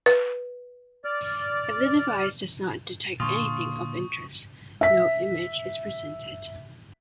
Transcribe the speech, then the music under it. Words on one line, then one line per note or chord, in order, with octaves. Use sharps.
If the device does not detect anything of interest, no image is presented.
B4
D5 F6
A#2 D3 F4 C#6 D#6
E5 B6